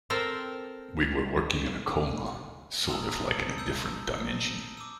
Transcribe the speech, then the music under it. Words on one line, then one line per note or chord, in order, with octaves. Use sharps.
We were working in a coma, sort of like in a different dimension.
C4 A4 A#4
A5 A#5 C6 D#6 E6
E6 G6
E6
D6 E6